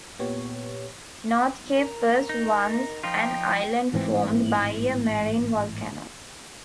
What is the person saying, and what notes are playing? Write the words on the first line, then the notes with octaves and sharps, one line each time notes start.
North Cape was once an island formed by a marine volcano.
A#2 B3 G4 C#5
A#4
D#4
F3 D#4 F4 G5
A1 G#2 E3 C4